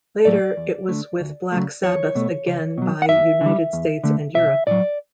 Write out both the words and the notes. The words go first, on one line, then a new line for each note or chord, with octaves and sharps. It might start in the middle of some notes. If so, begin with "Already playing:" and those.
Later it was with Black Sabbath again by United States and Europe.
A2 F#3 A3 D5
E2
D3 A3
D2
C#3 F#3 A3
E2 C#5
B2 A3
C#2
B2 F#3
F#5
F#2 E5
D3 G3
E2
D3 A3
B1 E5
A2 F#3 D5